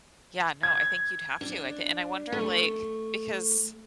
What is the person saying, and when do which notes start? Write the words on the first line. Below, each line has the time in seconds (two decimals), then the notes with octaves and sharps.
Yeah, no, I think you'd have to. I thi and I wonder, like because
0.63 G#6
1.41 D4
2.32 A3